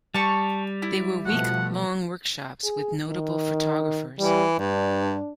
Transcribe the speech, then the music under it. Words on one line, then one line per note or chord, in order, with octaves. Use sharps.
They were week-long workshops with notable photographers.
G3 A5 C#6
E4
B2 F3 A3 F#5
G#4
D#3
E3 G3
G2 D4